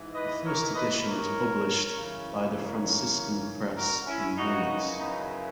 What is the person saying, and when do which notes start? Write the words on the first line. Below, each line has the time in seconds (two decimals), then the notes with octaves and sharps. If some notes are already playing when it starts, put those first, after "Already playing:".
The first edition was published by the Franciscan press in Vilnius.
Already playing: G#2 E3
0.14 B4 D#5
0.44 A#4 C#5
0.74 B4 D#5
1.04 A#4 C#5
1.95 F#2 C#3 E3
2.55 A#4 C#5
3.77 F#4 A#4
4.06 C#4 E4
4.37 F#2 C#3 E3 D#4 F#4
4.98 B3 D#4